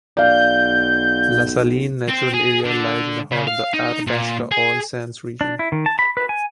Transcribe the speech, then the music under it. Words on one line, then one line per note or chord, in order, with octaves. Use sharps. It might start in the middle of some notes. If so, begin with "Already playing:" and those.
La Saline Natural Area lies in the heart of the Athabasca Oil Sands region.
B1 D5 F5 G6
C4
G#4
D3
C#3
F5
D#4
A#2
G#4
D4
E4
D#3
A5
B5
B4
G#5